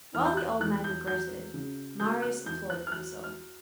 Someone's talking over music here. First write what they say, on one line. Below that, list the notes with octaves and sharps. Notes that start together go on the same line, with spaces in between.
While the old man regretted, Marius applauded himself.
E2 F6
G6
F#6
E2 F#6
G6
F#3 G6
C#3
F#3 G6
F#6
E2 G6
F#6
F6
F#3 F#6
F6